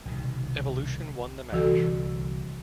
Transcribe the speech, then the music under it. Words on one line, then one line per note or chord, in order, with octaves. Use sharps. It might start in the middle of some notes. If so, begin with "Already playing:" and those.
Evolution won the match.
C2 B2 D#3
C2 D3 E3 F#4 A4